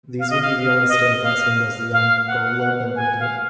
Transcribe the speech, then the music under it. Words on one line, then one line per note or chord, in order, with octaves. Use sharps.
These would be the only stained glass windows Leon Golub ever did.
F5
D#5
F5
D#5
F5
F5
F#5
G#5
F5